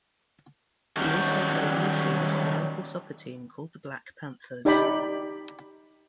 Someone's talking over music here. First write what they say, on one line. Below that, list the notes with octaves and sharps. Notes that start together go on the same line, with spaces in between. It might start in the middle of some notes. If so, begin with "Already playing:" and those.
He also played midfield for a local soccer team called the Black Panthers.
D#3 F#3 G3 C#4
D#4 G4 D5 G5 B5